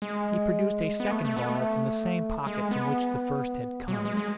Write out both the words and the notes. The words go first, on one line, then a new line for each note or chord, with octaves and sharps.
He produced a second ball from the same pocket from which the first had come.
G#3
B3
A3
A3
B3
A3
G#3
B3
F#3
G#3
G#3
G#3